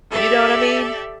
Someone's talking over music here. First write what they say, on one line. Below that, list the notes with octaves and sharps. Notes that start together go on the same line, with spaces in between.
You know what I mean?
G4 A4 D5 E5